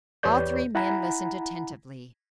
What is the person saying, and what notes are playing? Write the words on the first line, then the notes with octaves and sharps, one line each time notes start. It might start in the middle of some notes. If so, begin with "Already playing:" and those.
All three men listened attentively.
E2 G4 B4 C#5 D5 G6
E4 F#5 G#5 A#5 B5